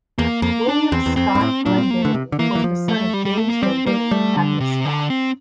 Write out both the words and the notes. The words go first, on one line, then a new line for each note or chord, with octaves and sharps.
William Scott Glendinning was the son of James Glendinning and Agnes Scott.
E2 A#3
F2 A#3
D4
E2 C4
E2
F2 C4
G2
A2
A#2 D4
C4
A#3
D3 A3
C3
D3
E3 A#3
E3
F3
A3
G3
G3
A3
A#3
G3 C4
G3 A#3
G3 A3
D3
C3
D3
C4